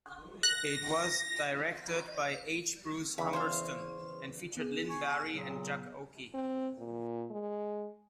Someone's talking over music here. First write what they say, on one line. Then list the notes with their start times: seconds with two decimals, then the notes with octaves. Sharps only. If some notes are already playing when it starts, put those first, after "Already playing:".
It was directed by H. Bruce Humberstone and featured Lynn Bari and Jack Oakie.
0.43 F#6 A#6
3.18 E2 C#3 E3 B5
3.33 C5 C#5 F5
4.57 B3 G#4
4.89 G#5 C#6
5.30 A#2 C#3 F#3
6.34 C4
6.78 A#2
7.30 G#3